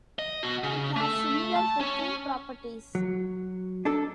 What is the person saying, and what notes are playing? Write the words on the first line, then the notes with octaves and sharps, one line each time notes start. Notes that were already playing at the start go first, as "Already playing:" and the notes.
It has similar cooking properties.
D#5
B2 F#4
C#3
A3 A4
A5
C#4 C#5
F#3
D4 D#4 A4